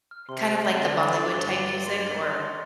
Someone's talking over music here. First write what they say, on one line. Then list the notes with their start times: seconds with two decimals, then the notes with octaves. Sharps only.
Kind of like the Bollywood type music or
0.11 F6
0.29 C3 C6
0.46 A6
0.64 C6
0.81 D3 A6
0.99 A6
1.17 D6
1.34 G2 G7
1.51 G7
1.69 A6
1.86 C6
2.04 C6
2.22 C6
2.39 C6